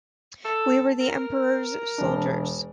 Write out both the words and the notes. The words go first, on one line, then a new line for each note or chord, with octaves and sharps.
We were the emperor's soldiers.
A4
A#4
E1 D4